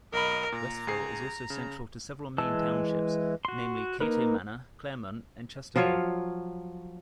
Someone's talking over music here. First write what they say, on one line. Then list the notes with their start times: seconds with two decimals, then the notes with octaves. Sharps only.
Westville is also central to several main townships, namely Cato Manor, Claremont and Chesterville.
0.13 B1 A#4 D#5 B5
0.52 A#2 A#5
0.87 C#2 G#4 C7
1.50 C#3
2.38 E3 G#3 A5 E6
3.45 F#4 C6
4.00 A#3 D#4 A#4 B4
5.76 F3 F#3 F4 C#5